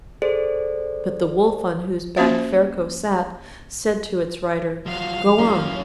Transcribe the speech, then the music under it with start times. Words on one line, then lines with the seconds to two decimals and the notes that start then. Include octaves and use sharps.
But the wolf on whose back Ferko sat, said to its rider, 'Go on!
0.22 G#4 A4 C5 D5
2.16 A#3 C#4 F#4 C5 E5
4.86 F3 F#3 F5
5.38 F#2 A2 C#4